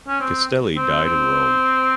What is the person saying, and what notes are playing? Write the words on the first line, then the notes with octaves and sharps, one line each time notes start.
Castelli died in Rome.
C#4
C4
C4
C4